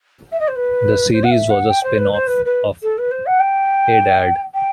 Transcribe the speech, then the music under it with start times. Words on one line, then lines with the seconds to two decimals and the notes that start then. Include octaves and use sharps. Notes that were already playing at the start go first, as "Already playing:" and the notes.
The series was a spin-off of Hey Dad...!
0.31 E5
0.39 D#5
0.47 C5
0.55 B4
1.13 C5
1.23 F#5
1.31 E5
1.50 F#5
1.69 G5
1.83 C5
1.98 B4
2.12 C5
2.27 B4
2.45 B4
2.82 A4
2.98 B4
3.11 C5
3.26 F#5
3.40 G5
4.54 G5